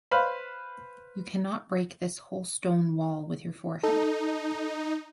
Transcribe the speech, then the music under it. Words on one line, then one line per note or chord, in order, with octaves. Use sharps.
You cannot break this whole stone wall with your forehead.
B4 C5 F5 B5
D#4 A4